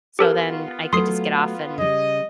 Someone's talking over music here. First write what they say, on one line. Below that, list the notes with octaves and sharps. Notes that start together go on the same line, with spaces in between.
so then, I could just get off and,
B3 F4 G4 A4 A#4
F#3 A3 C6 D#6 C7
C#3 G3 D#5